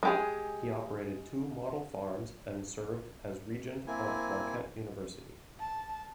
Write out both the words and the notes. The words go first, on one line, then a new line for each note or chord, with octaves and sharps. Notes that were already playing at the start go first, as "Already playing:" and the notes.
He operated two model farms and served as regent of Marquette University.
G#3 G4 G#4
A#3 C4 E4 G#5
A5